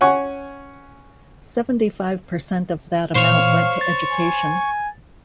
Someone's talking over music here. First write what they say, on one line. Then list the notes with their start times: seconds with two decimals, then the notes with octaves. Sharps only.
Seventy-five percent of that amount went to education.
0.01 C#4 F#5 G#5 C#6
3.15 A#2 E3 C5 C#5 F5 C#6
3.81 A6
4.12 G#5